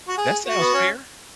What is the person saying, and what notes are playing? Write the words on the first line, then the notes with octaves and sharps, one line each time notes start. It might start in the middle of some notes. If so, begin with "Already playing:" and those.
That sounds fair.
F#4
G#4
F#4
B3
C#4